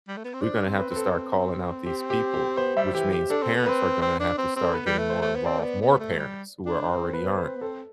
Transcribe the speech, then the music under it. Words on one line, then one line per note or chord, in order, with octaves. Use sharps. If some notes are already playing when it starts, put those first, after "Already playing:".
We're gonna have to start calling out these people, which means parents are gonna have to start getting more involved, more parents who are already aren't
G3
A3
B3
C4
D4 C5
C4
B4
C4
A4
G4
G4
G4
B3 C5
G3 E5
E3 G4
G4
D4 A4
C4
B3
C4 B4
C4
D4
C4
C4
A4
B3 B4
G3
A3
C5
A3
B3
C4 D5
A3
B3
B3
A3
G3
D4
C4 C5
A4
B3 B4
C5
C4 B4
B3
C4 A4